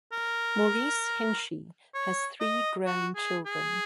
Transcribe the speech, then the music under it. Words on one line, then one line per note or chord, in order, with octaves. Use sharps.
Maurice Hinchey has three grown children.
A#4
C#5
D#5
F#4
G#4
G#4